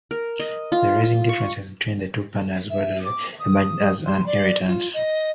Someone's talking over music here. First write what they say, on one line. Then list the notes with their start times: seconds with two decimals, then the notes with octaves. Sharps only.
The rising differences between the two partners gradually emerged as an irritant.
0.11 A#4
0.40 D#5
0.72 F4
1.03 F4
1.29 C#6
2.70 E5
3.05 D6
3.40 D#6
4.06 C6
4.26 D5
4.68 F4
4.94 D#5